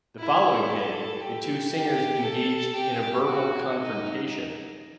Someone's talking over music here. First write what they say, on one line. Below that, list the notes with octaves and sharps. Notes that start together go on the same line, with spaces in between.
The following day, the two singers engaged in a verbal confrontation.
E4
A4
G4
G4
A4
G4
F#4
D#4